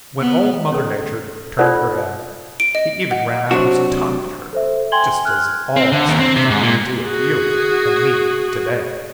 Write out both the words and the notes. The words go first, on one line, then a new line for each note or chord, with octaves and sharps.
When Old Mother Nature turned her head, he even ran out his tongue at her, just as all the Snake family do at you and me to-day.
B3
C#4 A4
D#4 F4 A4 C5 D5 F#5
D7
D#5
F#5
C3 F#3 D4 F#4
A4 C5 E5
G5 G#5 C6 G#6 F#7 G7
F6 F#6
C4
D3
D#2
C4
C3
G#2
A#2
F#4 G#4